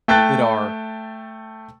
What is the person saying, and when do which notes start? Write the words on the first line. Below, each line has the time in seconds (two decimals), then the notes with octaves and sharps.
that are
0.08 A3 G5 A5 F#6 A6